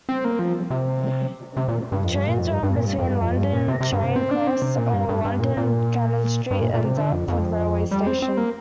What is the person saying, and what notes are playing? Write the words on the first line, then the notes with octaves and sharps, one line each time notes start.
Trains run between London Charing Cross, or London Cannon Street and Dartford railway station.
C4
A#3
F3
C3
C3
A#2
G2
F2
G2
A#2
F2
G2
G2
A#2
G2
F2
G2
F2
G2
A#2
C3
C3
G2
C3
C4
D4
C4
C3
A#2
G2
G2
G2
A#2
A#2
G2
A#2
A#2
C3
D3
F2
F2
G3
C4
C4
A#3